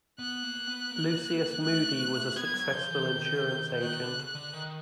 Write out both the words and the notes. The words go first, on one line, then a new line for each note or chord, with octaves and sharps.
Lucius Moody was a successful insurance agent.
B3 F#6
A#3
B3
A#3
A3 F#6
B3 G#6
F#3
F3 G6
E3
D#3
D#3 F#6
D3
C#3
D3
D#3